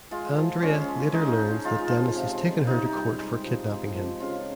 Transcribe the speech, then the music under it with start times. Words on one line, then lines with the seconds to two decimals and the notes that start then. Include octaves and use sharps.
Andrea later learns that Dennis has taken her to court for kidnapping him.
0.11 G#3 F4
0.37 F3
0.62 G#3 C#4
0.88 F3
1.13 G#3 D#4
1.39 F3
1.65 G#3 F4
1.90 F3
2.16 C3
2.41 G3
2.67 C3 D#4
2.92 G3
3.18 G#3
3.44 F3
3.70 G#3
3.95 F3
4.20 C#3 F4